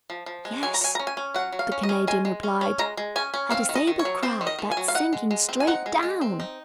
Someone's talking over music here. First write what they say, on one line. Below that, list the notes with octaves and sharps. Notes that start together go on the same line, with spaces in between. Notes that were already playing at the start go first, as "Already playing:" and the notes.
"Yes," the Canadian replied, "a disabled craft that's sinking straight down!"
F3
F3
G#3
F#3 G#5
A#5
F#3 G#5
C#4 A#5
G#5
C#4
F#3 F#5
F#3
F5
C#4
D#5
C#4
G#3 G#5
G#3
C#4
C#4
G#3 A#5
G#3
C#4 G#5
C#4
C4 F5
D#3
D#5
D#3
C#5
F#3
C4 C5
D#3
D#5
D#3
G#5
F#3
F5
D#4 F#5
G#3
G#3
C4
G#5
D#4 F#5
G#3
G#3
C4
D#4